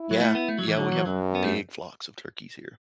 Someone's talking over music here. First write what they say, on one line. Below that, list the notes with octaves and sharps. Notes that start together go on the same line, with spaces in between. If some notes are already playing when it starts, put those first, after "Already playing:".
Yeah, yeah, we have m big flocks of turkeys here.
Already playing: E4
F#3
A3
B3
A3
F#3
E3
D3 F#3
E3
F#2 F#3
B3
A3